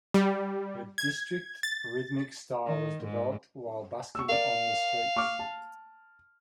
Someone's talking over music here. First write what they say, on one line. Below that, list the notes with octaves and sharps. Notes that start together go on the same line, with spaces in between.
Her district rhythmic style was developed while busking on the streets.
G3
G#6
A6
D#3
G#2
C#6 E6
A#4 D5 F5
C#6 D6 F6
A5